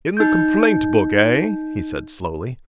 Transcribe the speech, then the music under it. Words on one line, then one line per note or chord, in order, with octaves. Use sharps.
"In the complaint-book, eh?" he said, slowly.
D#4 G6